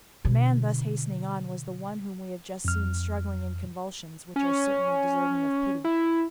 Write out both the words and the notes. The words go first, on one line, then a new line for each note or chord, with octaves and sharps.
The man thus hastening on was the one whom we have just seen struggling in convulsions which are certainly deserving of pity.
B2 D3
F2 F6
C#4
E4